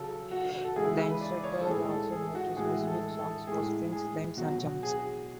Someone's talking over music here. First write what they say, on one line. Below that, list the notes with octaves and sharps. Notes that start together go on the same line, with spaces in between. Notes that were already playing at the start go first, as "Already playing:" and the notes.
The instructor also may choose specific songs for sprints, climbs, and jumps.
Already playing: C#3 F#3 A4
F#4
A4
C#3 E3 G#3 G#4
B4
D5
C#5
A4
A2 G#3 G#4
A4
G#4
F#4
A2 E3 G#3 G#4
A4
A4
A2 G#3 G#4
G#4
B2 F#3 F#4
G#4